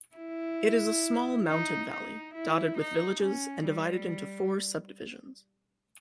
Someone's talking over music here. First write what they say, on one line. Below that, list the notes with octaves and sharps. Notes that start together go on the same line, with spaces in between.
It is a small mountain valley, dotted with villages and divided into four sub-divisions.
E4
D#4
D#4
E4
D#4
C#4
G3